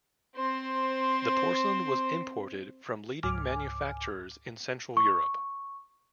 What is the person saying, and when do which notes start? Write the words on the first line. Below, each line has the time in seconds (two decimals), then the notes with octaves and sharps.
The porcelain was imported from leading manufacturers in central Europe.
0.36 C4 C5
3.23 C#2 G#2 G#5 D6 F6
4.97 C#6